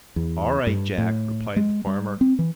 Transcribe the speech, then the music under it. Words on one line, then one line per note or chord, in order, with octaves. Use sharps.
"All right, Jack," replied the farmer.
E2
G2
A2
G#3
G3
C4
E3